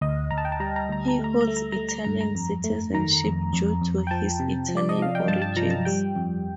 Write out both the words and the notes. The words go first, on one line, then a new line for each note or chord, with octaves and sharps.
He holds Italian citizenship due to his Italian origins.
D2 D#5
D2 A#5
A5
G5
A5
G3 A#5
A#5
D2 A#5
A#5
A3
A#5
A#5
A3
A#5
A#5
A3
A#5
G2 A#5
A#5
F2
A3
D#3 A#5
F2
F2
F2
G5
F3 A5
C3
F3
D5
D#5
F3 F5
G5
G2 A5
A5
F3 A#5
A5
G3 G5
F2